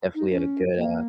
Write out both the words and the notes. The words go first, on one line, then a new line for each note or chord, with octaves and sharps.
definitely had a good, uh
D#4
C#4
A#3